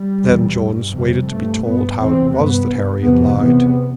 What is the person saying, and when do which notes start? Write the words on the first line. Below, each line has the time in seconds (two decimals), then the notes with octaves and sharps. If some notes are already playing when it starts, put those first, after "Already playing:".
Then Jones waited to be told how it was that Harry had lied.
Already playing: G3
0.24 E2 B2
0.59 G2
0.94 F2 C3 G3
1.29 G2 A3
1.64 G2 B3
1.99 E2 C3 C4
2.34 G2 B3
2.69 G2
3.04 F2 C3 B3
3.39 E2 C3 B3